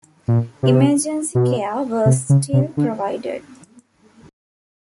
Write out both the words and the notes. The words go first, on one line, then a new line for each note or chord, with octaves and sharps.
Emergency care was still provided.
A#2
C3
B2
C3
C#3
C3
D3